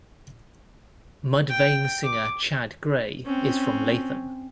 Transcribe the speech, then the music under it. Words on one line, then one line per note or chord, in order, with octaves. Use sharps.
Mudvayne singer Chad Gray is from Latham.
G5
D6
C4 C#4